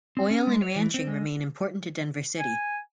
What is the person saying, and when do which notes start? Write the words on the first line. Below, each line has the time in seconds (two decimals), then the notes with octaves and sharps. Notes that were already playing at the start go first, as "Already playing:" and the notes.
Oil and ranching remain important to Denver City.
0.17 C4
0.31 C#4
0.47 G#3
0.62 C#5
0.76 E3
0.94 C4
1.07 G#3
2.39 G#5